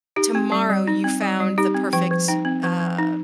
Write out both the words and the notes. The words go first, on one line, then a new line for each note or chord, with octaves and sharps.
tomorrow you found the perfect, uh,
D#4 G4
C4
G3
G3
D#4
C4
G3
G3
D#4 G4
C4
F3 G5
F3
D#4 G5
C4
F3
F3
D#4